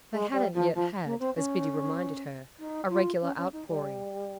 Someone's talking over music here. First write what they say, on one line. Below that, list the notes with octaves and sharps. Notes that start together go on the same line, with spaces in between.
They hadn't yet had, as Biddy reminded her, a regular outpouring.
G#3
G3
F3
F3
A#3
C4
C#4
D#4
F4
C#4
C#4
D#4
G3